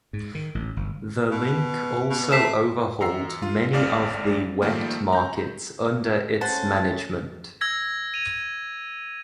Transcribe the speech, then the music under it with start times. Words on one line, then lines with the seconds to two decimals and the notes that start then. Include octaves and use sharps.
The Link also overhauled many of the wet markets under its management.
0.13 G#2
0.35 D#3
0.55 A1
0.77 G1
1.31 B2
2.10 B2
2.32 A3 B6 C7 E7
3.00 E2 A#5 E6 C7
3.42 F4
3.73 G#1 D#2 D5 F5
4.62 D#3 F3 G3 A3 A#3
5.13 A#5 G6
6.41 A3 C#4 C5 F#5 A5 A6
7.61 E6 G#6 A#6
8.14 D#7 F7